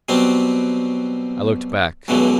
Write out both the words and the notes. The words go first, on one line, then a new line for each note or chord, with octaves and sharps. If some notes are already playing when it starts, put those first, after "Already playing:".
I looked back.
B2 F#3 G3 C4
C#2 G2 B2 D3 F#3